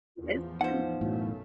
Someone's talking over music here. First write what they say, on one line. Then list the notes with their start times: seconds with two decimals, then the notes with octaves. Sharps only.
this and
0.20 E2 A2 F3
0.61 B3 D#4 C5 F5 F#5
1.01 B1 F#2 A2 E3 F#3 A3